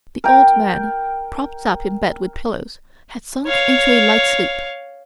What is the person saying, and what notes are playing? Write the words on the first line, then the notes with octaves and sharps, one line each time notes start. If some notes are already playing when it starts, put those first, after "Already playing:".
The old man, propped up in bed with pillows, had sunk into a light sleep.
A#4 G5
C#5 F5